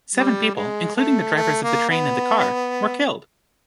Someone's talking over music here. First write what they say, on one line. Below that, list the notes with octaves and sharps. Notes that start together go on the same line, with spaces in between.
Seven people, including the drivers of the train and the car, were killed.
G3
G#3
A3
A3
A#3
B3